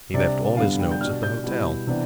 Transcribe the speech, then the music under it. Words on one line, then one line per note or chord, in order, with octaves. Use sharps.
He left all his notes at the hotel.
C3 G3 D4 D5
G2 D3 G3 B3 D4 F5
G5
G6
B2 G3 D4 F6
G6
B2 G3 B3 E4
C3 E3 B3 D4